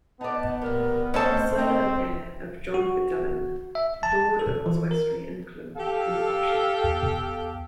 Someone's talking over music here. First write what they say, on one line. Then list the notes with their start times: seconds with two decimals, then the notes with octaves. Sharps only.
The son and heir of John Fitzalan, Lord of Oswestry and Clun, from Shropshire.
0.21 B3 D#4 D5 A5
0.62 A#2 G3 A#4
1.14 D2 C4 C#4 A4 C5 D#5 A5
1.57 C3 A3 C4 D#4
2.74 F#4
3.75 E5
4.03 A5
4.39 A4
4.66 E3
4.91 A#4
5.76 G4 A4 F5
6.84 E2